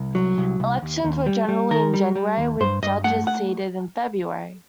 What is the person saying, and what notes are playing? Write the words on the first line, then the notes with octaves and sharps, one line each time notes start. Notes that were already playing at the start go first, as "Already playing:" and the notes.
Elections were generally in January, with judges seated in February.
Already playing: C2
F#3
C2
C2
D#2
D#2
G3
G3
D#3 A#4
G3
G3
D#2
G2 C5
G2 D#5
A3 F#5
F#5